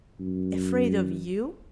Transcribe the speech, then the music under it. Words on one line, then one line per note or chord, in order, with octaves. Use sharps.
Afraid of you?
F#2